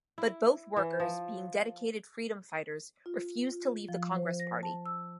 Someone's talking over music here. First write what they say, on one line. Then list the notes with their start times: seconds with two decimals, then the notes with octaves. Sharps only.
But both workers, being dedicated freedom fighters, refused to leave the Congress Party.
0.18 E4
0.77 E3
1.00 F3
3.06 F4
3.50 F4
3.88 F3
4.16 C5
4.40 A#6
4.63 A5
4.86 E6